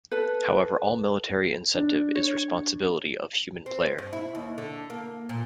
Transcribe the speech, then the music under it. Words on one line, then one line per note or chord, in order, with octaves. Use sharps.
However all military incentive is responsibility of human player.
A4 B4
D4
C#5
C4
G2
E4
D#2
D3
A#3
A#2